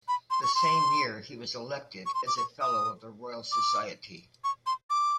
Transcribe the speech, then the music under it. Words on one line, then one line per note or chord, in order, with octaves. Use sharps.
The same year he was elected as a Fellow of the Royal Society.
B5
C6
C#6
C6
C#6
C6
D6
C#6
D#6
D6
C#6
C6
D6